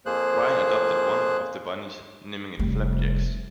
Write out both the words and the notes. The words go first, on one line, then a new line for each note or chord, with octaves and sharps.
Ryan adopted one of the bunnies, naming it Flapjacks.
F2 F3 A#3 G#4 C5 F#6
F1 G3